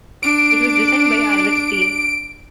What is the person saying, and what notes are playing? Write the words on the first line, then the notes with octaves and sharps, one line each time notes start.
It was designed by Arvid Steen.
D4 D7